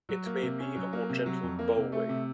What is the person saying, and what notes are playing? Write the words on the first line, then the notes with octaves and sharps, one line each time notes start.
It may be a more gentle "bow wave".
F#3
A#3
C3
C#4
F#3
A#3
C3
F#3
F2
A#3
C3
A3
C3